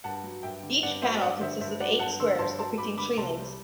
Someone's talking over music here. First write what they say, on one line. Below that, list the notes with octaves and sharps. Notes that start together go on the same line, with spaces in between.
Each panel consists of eight squares depicting tree limbs.
G2 F#5 A5
F#3
G2 E5 G5
D3
G2 D5 F#5
F#3 C5 E5
G2 D5 F#5
D3 C5 E5
G2 C5 E5
F#3 D5 F#5
G2 F#5 A5
D3 C6 E6
G2 A5 C6
F#3 A5 C6
G2 B5 D6
D3 B5 D6
C2 A5 C6
G3